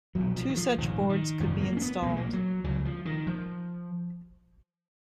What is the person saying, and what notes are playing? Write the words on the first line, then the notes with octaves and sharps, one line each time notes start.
Two such boards could be installed.
B1 A#2 F#3
F3
D#3
F3
A#1 G#2 D#3
D#3
G#1 F#2 C#3 F3
A#3
C#4
B3
B1 A#2 G#3 A#3
A#3
F#3
C#2 C#3 F#3
F3
D#3
F3